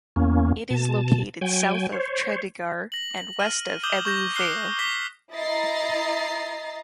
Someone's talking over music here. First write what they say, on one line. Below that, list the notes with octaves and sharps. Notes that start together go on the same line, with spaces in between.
It is located south of Tredegar and west of Ebbw Vale.
E2 A#3 C#4
B2 A5
F#3 G5 G#5
C5 C#5
A#6 F#7
F6 D#7
D6 D#6 G6 E7 F#7 G7
C#6 G6 A#6
D6 F6 F#6 C7 G7
C#6 D6 G6 A#6 B6 G7
E4 D#5 A#5 A6 C7